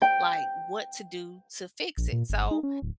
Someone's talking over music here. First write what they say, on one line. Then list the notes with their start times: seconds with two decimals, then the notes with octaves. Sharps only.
like, what to do to fix it. So,
0.02 G5
1.97 A#1
2.13 A#2
2.30 G1
2.51 D#4
2.63 C#4
2.82 D1